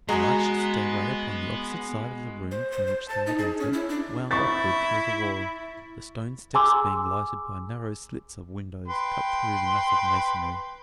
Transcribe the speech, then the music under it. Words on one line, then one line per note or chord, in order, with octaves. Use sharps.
An arched stair-way upon the opposite side of the room from which they had entered wound upward through the wall, the stone steps being lighted by narrow slits of windows cut through the massive masonry.
G#3 B3 F#4 G#4 A#5 D#6
C5
C5
C5
A5
D#4
G#4
C#4
E4
D4
E4 C#6 A6
G#4 G#5 A#5 C6 D6 E6
B4 G5 C6